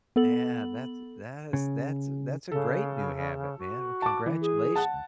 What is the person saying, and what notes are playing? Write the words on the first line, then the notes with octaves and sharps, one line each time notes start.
Yeah, that's that is that's that's a great new habit, man, congratulations.
B3 A4 F#7
C#3
C#3 A4
F#4
A5 D6
E3
G#4
F#5 A5